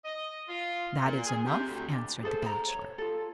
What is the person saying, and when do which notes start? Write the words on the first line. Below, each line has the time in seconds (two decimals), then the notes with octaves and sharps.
"That is enough," answered the Bachelor.
0.05 D#5
0.48 F4
1.05 A#2
1.25 G#4
1.45 C3
1.67 D2
1.93 D4
2.23 G#4 A4 C5
2.43 A4 A#5
2.68 C#5
2.98 F4 A4